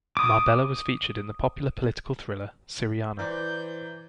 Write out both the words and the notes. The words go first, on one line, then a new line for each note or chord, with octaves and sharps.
Marbella was featured in the popular political thriller, "Syriana".
D6 D#6
E3 C5 D5 A#5 G6